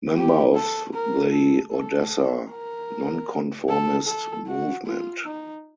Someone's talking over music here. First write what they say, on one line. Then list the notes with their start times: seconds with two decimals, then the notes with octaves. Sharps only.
Member of the Odessa nonconformist movement.
0.16 G4
0.55 A4
0.94 A#4
1.33 A4
1.72 A4
2.51 A#4
3.69 A4
4.07 A4
4.47 F#4
4.85 F4
5.25 D#4